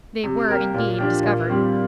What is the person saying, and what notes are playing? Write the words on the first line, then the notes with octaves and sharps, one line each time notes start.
They were indeed discovered.
C3
A#3 G4 A#4
A#2
F3 D4 G4
A#2
G3 C4 G4